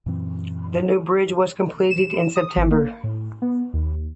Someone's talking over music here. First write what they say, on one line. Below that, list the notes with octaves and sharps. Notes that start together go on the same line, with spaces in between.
The new bridge was completed in September.
F#2 A#2 E3 C4
E7
D#6
G#1
A#3
A2
B3
D#2